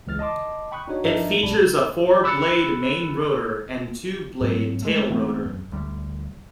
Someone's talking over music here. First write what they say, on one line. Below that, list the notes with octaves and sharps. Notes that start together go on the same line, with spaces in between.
It features a four-blade main rotor and two-blade tail rotor.
C#2 E3 F6 A6
D#5 A5 C6 D6
G5 B5 C#6 D#6 F#6
D4 D#4 F#4 C#5
G2 F3 D4 D#4 A#4 E5
B1 F#2 G3 A5 B5
B5 E6 F#6 A6 C#7
G#2 F#3 C4
G#3 A3
E3 A3 B3 C4
F#2
D2 G3